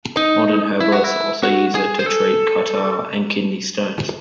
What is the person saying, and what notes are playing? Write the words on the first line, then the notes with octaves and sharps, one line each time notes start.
Modern herbalists also use it to treat catarrh and kidney stones.
D#4
E4
F#4
E4
F#4
G#4
C5
A4